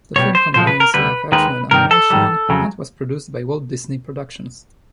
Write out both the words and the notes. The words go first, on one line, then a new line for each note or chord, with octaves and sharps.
The film combines live-action and animation, and was produced by Walt Disney Productions.
C2 B2 G3 C#5
C5
B1 A#2 F3 G#3 C5
B4
A#4
D2 D3 G3 B4
D#2 D#3 G#3 B4
G2 D#3 G3 A#4
A4
G#2 D#3 G3
F2 C#3 F#3